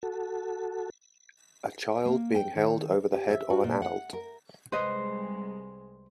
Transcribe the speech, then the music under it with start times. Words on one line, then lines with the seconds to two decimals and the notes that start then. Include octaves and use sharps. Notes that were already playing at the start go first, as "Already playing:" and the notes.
A child being held over the head of an adult.
0.03 F#4 A4
2.05 A#3
2.35 G5
2.56 D#3
3.13 G4
3.30 E5
3.50 F#4
3.64 A#2
3.82 F#5
4.13 A#4
4.72 C2 G#3 B4 C5 D#5